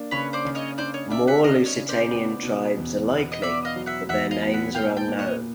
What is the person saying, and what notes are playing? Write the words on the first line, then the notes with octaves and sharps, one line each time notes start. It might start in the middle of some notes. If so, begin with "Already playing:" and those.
More Lusitanian tribes are likely, but their names are unknown.
Already playing: A#3 D4
C#3 B4 C#5
C5 D5
C#3
C#5 D#5
D4 C5 D5
C#5 D#5
D4 D5 E5
E5 F#5
D4 D#5 F5
C#5 D#5
C#3
C5 D5
B3
B2
E2
B3
D#5
B3 D5 E5
D#5 F5
F#3
E5 F#5
E2 E5 F#5
D#5 F5
B3
E5 F#5
A#2 F5 G5
G5 A5
A#2
C#5 D#5